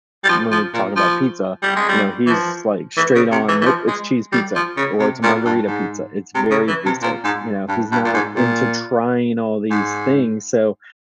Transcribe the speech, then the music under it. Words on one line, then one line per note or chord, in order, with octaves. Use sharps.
when we talk about pizza, you know, he's, like, straight on, nope, it's cheese pizza, or it's a margarita pizza. It's very basic, you know, he's not into trying all these things. So,
G3
F3
F3
A#2
F3
G3
G#3
G3
E3
F3
E3
C#3
C3
E3
E3
F3
G#3
G3
F3
C#3
C3
A#2
G2
G#2
C3
C#3
E3
C3
A#2
G#2
G2
G2
A#2
G#2
A#2
G#2